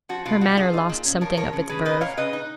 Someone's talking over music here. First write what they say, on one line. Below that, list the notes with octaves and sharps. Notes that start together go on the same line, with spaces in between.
Her manner lost something of its verve.
F3 F#4
B2 F4
B2 F#4
F3 F4 G#4
D#4
A#2
C#4
F3 A#4 C#5
F3 A#4 C#5
C#3
C#3 G#4 B4
A#2 B4 D#5
A#2 C#5 F5
C#3 B4 D#5
D#4